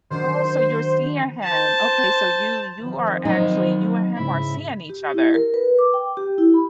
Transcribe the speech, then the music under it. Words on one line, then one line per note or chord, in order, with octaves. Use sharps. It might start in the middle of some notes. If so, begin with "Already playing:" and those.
Oh, so you're seeing him. Okay, so you you are actually you and him are seeing each other.
D#3 F#3 D4 C5
C5 A5
D#3 F3 C4
F#3 D#4 D#5
G#2 C#3 E4
G4
E4
A#4
B4
D6
G5
G4
E4
B5